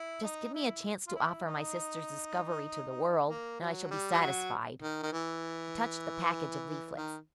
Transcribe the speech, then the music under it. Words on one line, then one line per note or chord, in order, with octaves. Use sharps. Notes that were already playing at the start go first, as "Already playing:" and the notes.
"Just give me a chance to offer my sister's discovery to the world, and I shall be satisfied!" He touched the package of leaflets.
Already playing: E4
D#4
E4
F4
E4
D#4
A#3
F#3
G3
F3
F#3
D#3
D#3
E3
D#3